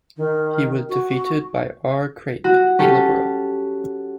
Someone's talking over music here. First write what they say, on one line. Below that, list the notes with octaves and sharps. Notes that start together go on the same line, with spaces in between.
He was defeated by R. Craik, a Liberal.
D#3
F#4
F#4
C#4 G4 A4